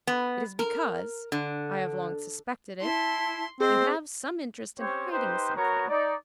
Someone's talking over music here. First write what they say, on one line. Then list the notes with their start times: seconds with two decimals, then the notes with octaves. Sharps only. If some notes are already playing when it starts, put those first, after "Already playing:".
It is because,--I have long suspected it,--you have some interest in hiding something.
0.07 B3
0.59 A#4
1.32 D3
2.81 E4 A5 C6
3.60 C4 G#4 C5 D#5
4.78 C4 C#4 G4 C5 C#5
5.11 D#4 G4 B4 C5
5.56 B3 F#4 A#4 C#5 A#5
5.89 D#4 D5